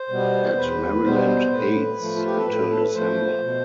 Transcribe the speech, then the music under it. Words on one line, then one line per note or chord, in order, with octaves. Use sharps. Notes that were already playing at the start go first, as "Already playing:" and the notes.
At Maryland Heights until December.
Already playing: C5
B2 G3 B3
E2 B4
B2 G3 B3 C5
A2 B4
F3 A3
F4
G4
A4
A2 B4
A4
B4
F3 A3 C5
B2